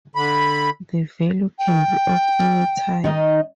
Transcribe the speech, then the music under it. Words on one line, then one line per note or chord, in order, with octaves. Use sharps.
The value can be of any type.
D3 B5
G5
D#3 D#4 D#5